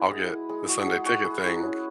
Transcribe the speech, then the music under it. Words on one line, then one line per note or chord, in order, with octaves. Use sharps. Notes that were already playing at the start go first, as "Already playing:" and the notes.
I'll get the Sunday ticket thing,
Already playing: E4 F#4 B4
G#3 G#4
E4
G#3 G#4
G#3 F#4
G#3 G#4
G#3 F#4
E4 G#4
E4
C#4